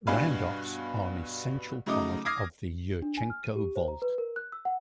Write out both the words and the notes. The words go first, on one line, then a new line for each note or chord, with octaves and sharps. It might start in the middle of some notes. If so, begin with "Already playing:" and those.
Roundoffs are an essential part of the Yurchenko vault.
G2 B2 D4 B4 F5 G#5
C#3 F#3 A3 D#4 D6 D#6
D6 D#6 F6 G#6 A#6 C7
D4
G#5
F6
D#7
G4
C5
A#5
B4
A#4
F#6
E6
F#5